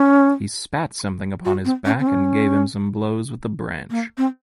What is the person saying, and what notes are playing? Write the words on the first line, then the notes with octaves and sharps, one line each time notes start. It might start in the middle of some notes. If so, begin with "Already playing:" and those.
He spat something upon his back and gave him some blows with the branch.
Already playing: C#4
F#4
C4
C#4
C4
C#4
A#3
C4